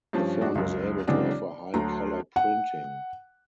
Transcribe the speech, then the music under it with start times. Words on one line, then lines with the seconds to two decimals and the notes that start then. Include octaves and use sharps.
The firm was able to offer high colour printing.
0.13 G2 F3 C#4 C5
0.41 G#3 D4 F#4
0.55 C#2 F#2
1.08 C#3 E3 F#3 G#3 C4 D4
1.31 D5
1.74 D2 F#3 A3 A#5
2.36 F#5